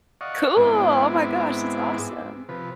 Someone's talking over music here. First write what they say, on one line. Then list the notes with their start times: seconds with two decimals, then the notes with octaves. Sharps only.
Cool! Oh my gosh. That's awesome.
0.21 D5 D#5 F5 F#5 C#6
0.57 G#2 G#3 B3 C4 E4 D6
2.49 C3 F3 B4